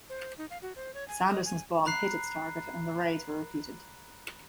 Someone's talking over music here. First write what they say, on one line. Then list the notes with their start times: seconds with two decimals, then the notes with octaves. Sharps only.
Sanderson's bomb hit its target and the raids were repeated.
0.10 C5
0.38 D#4
0.50 F5
0.62 F#4
0.76 C5
0.94 C#5
1.08 G#5
1.28 D#5
1.45 G#5
1.85 A#5 B5 F#6 C7